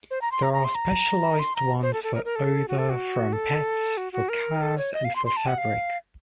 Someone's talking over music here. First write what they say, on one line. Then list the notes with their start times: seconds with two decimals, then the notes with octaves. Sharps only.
There are specialized ones for odor from pets, for cars, and for fabric.
0.11 C5
0.21 A#5
0.32 C6
0.43 A#5
0.53 A#5
0.64 C6
0.75 A#5
1.39 C6
1.56 A#5
1.83 C5
1.93 A4
2.03 A4
2.14 A#4
2.25 A#4
2.35 A4
2.68 F#4
2.78 A4
2.89 F#4
3.33 A4
3.97 F#4
4.12 F#4
4.29 A#4
4.62 A4
4.78 C#5
4.93 D#5
5.04 F5
5.15 C6
5.26 C6
5.36 A5
5.47 F#5
5.58 F5